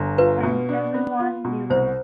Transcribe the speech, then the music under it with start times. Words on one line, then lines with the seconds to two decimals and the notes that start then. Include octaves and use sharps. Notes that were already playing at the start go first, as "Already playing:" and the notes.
And everyone knew it.
Already playing: G1
0.18 F4 B4
0.43 B2
0.69 D4
0.94 B3
1.19 F4
1.45 B2
1.70 C2 C5